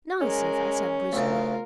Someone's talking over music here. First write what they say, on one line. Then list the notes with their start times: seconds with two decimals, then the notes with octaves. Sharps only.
"Nonsense!" I said bruskly.
0.21 G#3 C#4 A#4
1.13 D2 C#3 F4 A#4